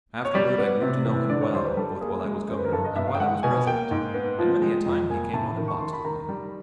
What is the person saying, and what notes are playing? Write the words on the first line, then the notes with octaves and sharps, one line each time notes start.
Afterward I grew to know him well both while I was Governor and while I was President, and many a time he came on and boxed with me.
C#5
G3 D5
B3
C3
E3
D3 D5
C#5
G3 C5
B4
G3 A4
A#3 G#4
G#3
F#2 C5
B4
A#4
G2 A4
D#5
G2 E5
F5
G5
G#3 F#5
B2 G#5
A#3 G5
G#2
B3
F3
G#3
F2
A#3 G#5
A2 A5
D#3
C#6
D#3 C6
B5
D#3 A#5
G3